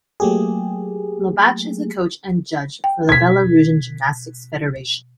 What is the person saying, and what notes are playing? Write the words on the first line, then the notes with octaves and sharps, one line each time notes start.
Lobatch is a coach and judge for the Belarusian Gymnastics Federation.
F#3 A3 A#3 G4 G#4
G5
B2 G#6 B6